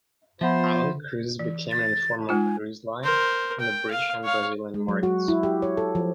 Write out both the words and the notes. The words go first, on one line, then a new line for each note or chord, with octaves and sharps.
Island Cruises became an informal cruise line on the British and Brazilian markets.
F3 B3 F4 C5 E5 F#5 B5
E3
A6
G#3 D#4 F4 G#5
A#4 C5
G5
F5
C#5 F5
G#3
F#3
F#4
E4
G4
C#5
A4
F3